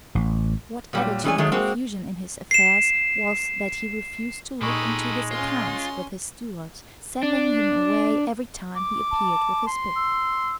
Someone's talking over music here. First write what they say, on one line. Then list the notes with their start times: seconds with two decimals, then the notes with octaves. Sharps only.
What added to the confusion in his affairs was that he refused to look into his accounts with his steward, sending him away every time he appeared with his book.
0.15 A1
0.93 A#2 F#3 G3
1.24 E3 G#3 C#4 G#4 D5 G#5
1.38 D#3 F#3 G#3 A3
1.52 G#3 A#3 C4 F#4
2.51 C7 E7
4.62 A#2 G#3 D#4 G4 A4 B5 C#6
5.31 C#4 F4 C6
7.23 D4
8.76 D6
9.11 A5
9.67 C6
9.96 E6